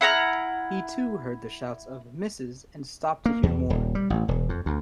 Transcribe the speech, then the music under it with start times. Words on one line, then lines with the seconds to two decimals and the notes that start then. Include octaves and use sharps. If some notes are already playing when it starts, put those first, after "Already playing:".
He too heard the shouts of ‘Missus,’ and stopped to hear more.
0.01 E4 F#5 A#5 F6
3.26 A#3
3.43 E2
3.70 D#1
3.95 G3
4.10 A1
4.28 E1
4.49 F2
4.66 D2